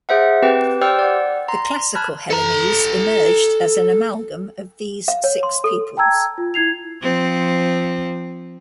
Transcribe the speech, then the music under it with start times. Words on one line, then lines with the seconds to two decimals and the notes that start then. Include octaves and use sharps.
The classical Hellenes emerged as an amalgam of these six peoples.
0.09 G#4 C5 E5 F#5
0.42 C4 G4 B4 G5
0.81 G4 C5 D5 G5 E6 F6
0.99 D5 F#5
1.48 A#5 C6
1.95 A5 B5 F6 F#6 G#6
2.30 A4 A#5
5.08 F5
5.24 C#5
5.43 C6
5.64 A4
5.97 G5 A5 A#5 E6 G#6
6.38 F4
6.54 E4 G#6 C7 F7
7.02 F3 C4